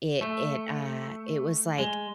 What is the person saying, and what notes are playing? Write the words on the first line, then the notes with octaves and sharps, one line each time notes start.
it it, uh, it was like
A3
G#3